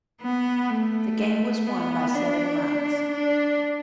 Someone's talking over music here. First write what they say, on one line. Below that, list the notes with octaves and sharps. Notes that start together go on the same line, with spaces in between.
The game was won by seven runs.
B3
A3
B3
D4
D4